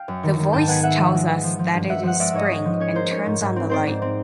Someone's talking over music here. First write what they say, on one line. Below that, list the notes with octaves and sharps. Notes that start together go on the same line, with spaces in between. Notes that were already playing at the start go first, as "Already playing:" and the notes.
The voice tells us that it is spring and turns on the light.
Already playing: F5 G5
F#2
D#3
D#3
G#2 G5 A5
B3 F#5 G#5
B3 E5 F#5
F3
G#3
B3
F3
F3
G2
G2 E5 F#5
F3 E5 F#5
G#3 D5 E5
G#2 C#5 D#5
C#4
F3
C#4 C#5
A#3 C5
C#4 C#5
G#2
G#2
C4
C4 C5 D5
G#2
C4